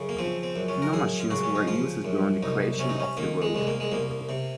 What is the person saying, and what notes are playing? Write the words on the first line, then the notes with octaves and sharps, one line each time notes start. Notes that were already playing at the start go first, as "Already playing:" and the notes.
No machines were used during the creation of the road.
Already playing: F#2 C#3
A#3
F3 C4
C4
F#2
C#4
A#4
F#2 G#4
F4
C#3 F#4
C#4
D#4
F3 F4
F#2
C2 D#4
C3 C#4
D#4
C#4
D#3 A#3
G#3
C2 G#3
A#3
G#3
C2 A#3
C3